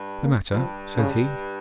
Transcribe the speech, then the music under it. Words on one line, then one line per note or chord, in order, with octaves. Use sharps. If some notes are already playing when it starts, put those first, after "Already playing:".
'The matter?' said he.
Already playing: G2
A#3
G2 F3
C#3